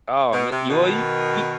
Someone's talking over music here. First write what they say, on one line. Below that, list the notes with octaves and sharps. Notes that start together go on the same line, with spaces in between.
Oh ma well, you you
B2
C3
B2 D#3